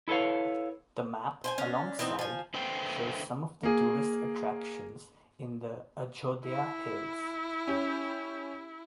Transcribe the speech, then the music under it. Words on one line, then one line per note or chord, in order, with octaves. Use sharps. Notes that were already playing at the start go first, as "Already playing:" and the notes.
The map alongside shows some of the tourist attractions in the Ajodhya Hills.
E4 A4 B4 C#5 F5
C5 G5 G#5
C#4 D4
E3 B3 C4 D#4
F3 G#5
D3 A3 B4 C5 G5
A#3 G#4
E4
C#4 G4